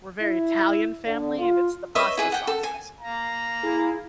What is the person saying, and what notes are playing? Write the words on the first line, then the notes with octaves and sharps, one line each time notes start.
we're very Italian family and it's the pasta sauce recipe.
E4
D3
F4
B4 C#5 D#5 E5
E4 G#4 B4
F#5 G5
A4
G#5
F5 A#5
E4 G#4